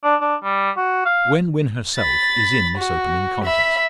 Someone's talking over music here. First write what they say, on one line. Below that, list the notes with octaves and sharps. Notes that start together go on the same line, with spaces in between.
Gwen Wynn herself is in this opening contest.
D4
D4
G3
F#4
F5
B5 A6
F#4
E5 B5